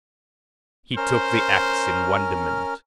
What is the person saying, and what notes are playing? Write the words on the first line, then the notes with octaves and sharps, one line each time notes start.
He took the ax in wonderment.
C#4 A#4 C5 F6